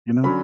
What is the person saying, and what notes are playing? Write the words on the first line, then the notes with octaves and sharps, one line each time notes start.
you know?
D3 F#3 C#4 B5